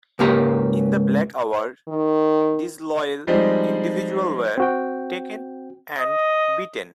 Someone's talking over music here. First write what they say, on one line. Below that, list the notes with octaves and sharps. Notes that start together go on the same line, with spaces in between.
In the "black house" disloyal individuals were taken and beaten.
C#2 G#2 A#3 G4 A#5
D#3
F3 G3 G#3 C4 D#4
C4 F#4 G5
D#5